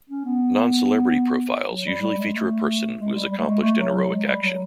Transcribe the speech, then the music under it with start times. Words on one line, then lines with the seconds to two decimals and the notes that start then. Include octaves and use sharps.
Non-celebrity profiles usually feature a person who has accomplished an heroic action.
0.10 C#4
0.25 B3
1.70 F#3
1.85 G3
2.02 G3
2.17 G#3
2.34 A3
2.98 G#3
3.14 G3
3.31 G3
3.38 A3
3.46 G#3
3.62 A3
3.78 F#3
3.95 F#3
4.11 G#3
4.27 G3
4.43 F#3